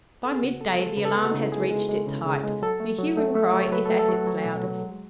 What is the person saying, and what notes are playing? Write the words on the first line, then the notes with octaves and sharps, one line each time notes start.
By midday the alarm has reached its height--the hue and cry is at its loudest.
A4
G#4
C#3 F#4
B3 A4
G#3 A4
C#3 B4
A4
B3 G#4
F#4
D#4
C#3 E4
G#3 G#4
G#3
G#3
C#3
C#3
G#3
F#3 A4
A3
F#3
A3
A3
F#3
C#5
F#3 B4
A3 A4
A4
F#3 F#4
F#3
B2
F#3
G#3